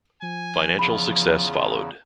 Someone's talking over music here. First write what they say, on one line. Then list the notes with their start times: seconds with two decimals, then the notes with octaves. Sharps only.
Financial success followed.
0.22 F3 G#5
0.79 E2 C#3 F4 B5